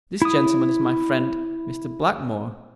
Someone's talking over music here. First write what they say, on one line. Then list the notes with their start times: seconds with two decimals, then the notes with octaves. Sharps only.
This gentleman is my friend, Mr. Blackmore.
0.22 E4 D#6